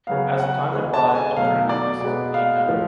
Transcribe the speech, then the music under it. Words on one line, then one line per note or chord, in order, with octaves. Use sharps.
As the time went by, alternative uses were being known.
C#3 F#3 B3 F5
F#5
D3 G#3 B3
A5
G#5
B2 F#3 A3 F5
D5
B2 G#3 B3 D5
F5
A2 F3 A3